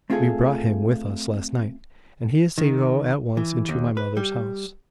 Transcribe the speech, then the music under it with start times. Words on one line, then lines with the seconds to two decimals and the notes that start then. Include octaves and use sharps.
We brought him with us last night; and he is to go at once into my mother's house.
0.10 A3 C4 F4 F#4 G#4 A4
2.58 D#3
3.37 E3
3.69 D#2
3.97 B4
4.17 G3